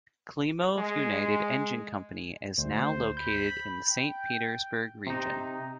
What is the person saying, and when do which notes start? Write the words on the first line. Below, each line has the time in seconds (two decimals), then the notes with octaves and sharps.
Klimov United Engine Company is now located in Saint-Petersburg region.
0.78 G#3
2.58 D2 C5
3.17 B5 G6
3.87 G5
5.07 C3 D#4